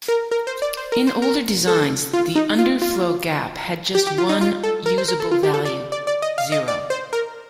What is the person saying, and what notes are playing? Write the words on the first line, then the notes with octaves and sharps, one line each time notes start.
In older designs, the underflow gap had just one usable value, zero.
A#4
A#4
C5
D5
C5
A#4
C5
A#4
A4
F4
D#4
F4
F4
G4
G4
F4
D#4
F4
A4
A#4
C5
A#4
A4
F4
G4
A4
D5
D5
D5
D#5
F5
D#5
D5
C5
A#4